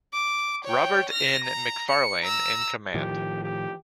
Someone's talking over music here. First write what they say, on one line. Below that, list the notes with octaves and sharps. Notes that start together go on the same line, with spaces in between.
Robert N. McFarlane in command.
D6
C#5 G5
F6 A#6
A#5
C#7
A#5 E6
A2 D#3 F3 G4
G4